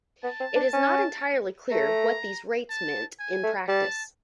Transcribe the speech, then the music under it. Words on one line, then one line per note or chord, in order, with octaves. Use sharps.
It is not entirely clear what these rates meant in practice.
B3 A5
C4
D4
C#4
A3 A#5
A5
G#5
A3
G3 A5